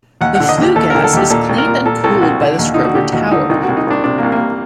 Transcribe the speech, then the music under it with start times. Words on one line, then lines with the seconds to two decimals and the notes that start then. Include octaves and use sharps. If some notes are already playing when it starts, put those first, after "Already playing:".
The flue gas is cleaned and cooled by the scrubber tower.
0.21 D#2 F#5
0.35 D3 F#5
0.49 D#5
0.58 D#2 G4
0.76 D#2 A4
0.90 D3 A#4
1.04 A4
1.13 D#2 G4
1.30 A#2 A4
1.49 C2
1.58 A#4
1.67 A#2
1.86 A#2 A4
2.04 C2 A4
2.21 C2 F#4
2.41 D3
2.59 D#2
2.74 D3 D#4
2.85 F#4
2.95 D3 G4
3.12 D#2 F#4
3.31 D3 D#4
3.49 C2 D#4
3.63 F#4
3.68 C2
3.77 D#4
3.87 C2 D4
4.04 C3 D4
4.18 C2 A#3
4.32 A#3